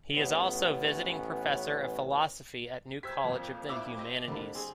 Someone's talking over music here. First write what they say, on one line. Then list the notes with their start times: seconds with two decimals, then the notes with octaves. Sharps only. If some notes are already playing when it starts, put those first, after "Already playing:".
He is also Visiting Professor of Philosophy at New College of the Humanities.
0.14 A1 B3 C#4
3.03 G4 C5 E6 G#6 B6
3.24 F2 A#2 F3
3.69 D4 E4 D6 E6
3.97 C4 G4 D#5
4.28 F2 D3 G3 A#3 D4 B5
4.55 C4 G#4